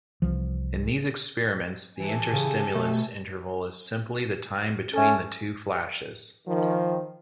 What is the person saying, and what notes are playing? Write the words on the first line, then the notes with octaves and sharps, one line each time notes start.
In these experiments, the interstimulus interval is simply the time between the two flashes.
C2 E3 F3
E3 G4 A4 G#5
C#3
B2 A3
C#4 A4 E5
D#3 F3